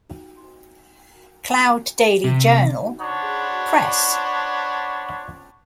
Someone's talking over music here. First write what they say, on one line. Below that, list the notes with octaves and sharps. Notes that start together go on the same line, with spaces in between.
Cloud Daily Journal-Press.
C3
D4 C5 C#5 F#5 B5